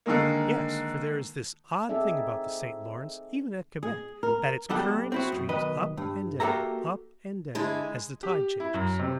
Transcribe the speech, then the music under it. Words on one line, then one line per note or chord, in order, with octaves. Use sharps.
Yes, for there is this odd thing about the St. Lawrence, even at Quebec, that its current streams up and down, up and down, as the tide changes.
D3 D#3 G#3 A#3
C4 D#4 G#4 A4 D5 E5
G#4
A#4
B1 B2 G3 G4 A4 F#5
C4 E4 F#4
F#2
B1 D#3 B4 D#5
G2
A#3 F#4 G4 A4 E5 A#5
D3 G#3 E4
G4
E4
F#2
C3